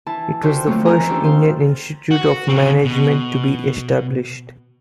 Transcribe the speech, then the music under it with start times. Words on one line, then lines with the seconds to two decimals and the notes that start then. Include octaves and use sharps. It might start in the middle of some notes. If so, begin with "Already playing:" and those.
It was the first Indian Institute of Management to be established.
0.06 E3 E4 A5
0.43 D3 F4 F#4 C5 E5 G5
0.66 F3 F#3 A3 A#3 C4 F4
0.85 D#4 E4 A#4 D#5 G#5 A#5
1.08 D#3 C#4 D4 F4 G4 A4
1.24 C5 F5
2.11 F#4
2.49 D3 C4
2.85 B2